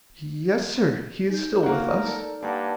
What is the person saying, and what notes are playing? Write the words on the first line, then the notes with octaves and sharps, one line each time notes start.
"Yes, sir, he is still with us."
D#4 G6
A#3 F#4 A#4
A4 D5
G2 A#3 D5 F#5 A5